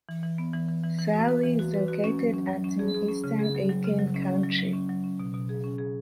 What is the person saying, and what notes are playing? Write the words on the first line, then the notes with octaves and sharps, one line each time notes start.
Salley is located at in eastern Aiken County.
E3
E3
B3
E3
E3
E3
E3
F#4
B4
E3
F#4
B4
F#4
C#4
F#3
C#4
F#3
C#4
G#4
G#4
C#4
C#3
G#4
F#3
F#3
C#3
F#3
C#4
C#4
F#3
F#3
C#4
F#3
C#4
B2
B2
G#4
C#4
G#4